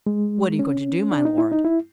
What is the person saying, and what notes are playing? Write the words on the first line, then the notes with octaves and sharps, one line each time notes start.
"What are you going to do, my lord?"
G#3
C#4
D4
D#4
E4
D#4
E4